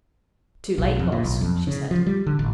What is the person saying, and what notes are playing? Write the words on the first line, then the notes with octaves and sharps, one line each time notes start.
"Too late, Boss," she said.
B1
F2
A#2
B1
F2
C#3
F3
G3
D3
A1